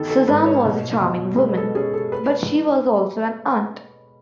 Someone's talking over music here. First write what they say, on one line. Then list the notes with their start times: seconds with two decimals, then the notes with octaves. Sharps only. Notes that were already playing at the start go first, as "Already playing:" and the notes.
Susan was a charming woman, but she was also an aunt.
Already playing: D#3 B3 A4
0.10 A4
0.28 G#2 B4
0.46 C#5
0.65 B2
1.01 B2
1.38 G#3 B4
1.57 A4
1.75 C#4 G#4
1.94 A4
2.12 B4